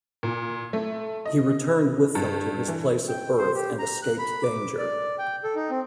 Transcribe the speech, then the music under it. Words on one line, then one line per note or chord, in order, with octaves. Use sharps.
He returned with them to his place of birth and escaped danger.
A#2
A3
D#5
G2
E3
G5
C5
G4
A#5
F#6
B5
D6
D5
G5
A4
D#4
C4